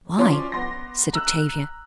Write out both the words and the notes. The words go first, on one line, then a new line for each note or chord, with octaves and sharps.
"Why?" said Octavia.
F3 C#4 D4 C6 D6
B3 C6 A#6
A#5 E6 F#6